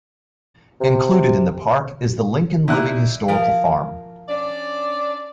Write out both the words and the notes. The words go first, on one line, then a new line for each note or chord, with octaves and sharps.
Included in the park is the Lincoln Living Historical Farm.
C3
A#2 D#4 E4 F#6
F3 A#4 F5
C#4 D4 D5